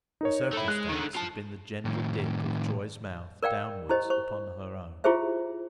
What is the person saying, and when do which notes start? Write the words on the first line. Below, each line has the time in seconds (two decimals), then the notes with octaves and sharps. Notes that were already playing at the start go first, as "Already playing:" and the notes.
The circumstance had been the gentle dip of Troy's mouth downwards upon her own.
0.21 D#4 A#4 C#5
0.53 A3 E4
0.68 G#3 F#6
0.90 D3 D#3
1.16 F4 A5
1.85 A2 D#3
3.43 A#4 D5 F5 G5
3.89 E4 G4 C5 D#5
4.10 C5 C#6
5.04 E4 F4 G4 G#4 C5 E5